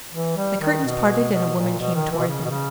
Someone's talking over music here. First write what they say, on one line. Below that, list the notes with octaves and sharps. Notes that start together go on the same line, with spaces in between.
The curtains parted and a woman came toward them.
E3
G3
D#3
B2
B2
A#2
B2
D#3
E3
B2
C#3
B2
C#3